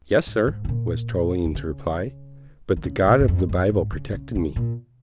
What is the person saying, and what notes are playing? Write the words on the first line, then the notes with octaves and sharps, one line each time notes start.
"Yes, sir," was Toline's reply; "but the God of the Bible protected me."
G#2
G#2
C#3
A#2
D#3
C#3
D#3
C#3
A#2
G#2
F2
G#2
F2
G#2
C#3
C#3
C#3
A#2